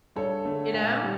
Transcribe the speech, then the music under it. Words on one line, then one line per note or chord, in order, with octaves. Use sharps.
You know?
G2 A4 C#5
D3 A3
A#2
G3